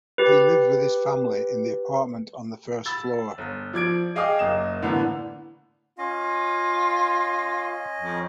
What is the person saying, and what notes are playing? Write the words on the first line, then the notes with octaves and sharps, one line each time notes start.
He lived with his family in the apartment on the first floor.
G4 B4
B5 E6 A6
G1
F3 D5 G#6 D7
G#4 D#5 F5 G5 D6 D#6
F#1 A#3 D#5 E7
A2 D3 E3 A#3 B3
C#4 F4 D#5
F2